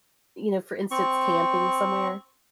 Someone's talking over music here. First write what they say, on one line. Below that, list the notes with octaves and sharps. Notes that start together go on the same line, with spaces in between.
you know, for instance, camping somewhere?
C4 C#6